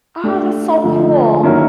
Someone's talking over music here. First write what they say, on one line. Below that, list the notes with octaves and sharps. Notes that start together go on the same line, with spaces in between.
Oh, that's so cool.
A3 D4 G4
D3 F3 A3
D#3 F#3 A#3 C#4 E4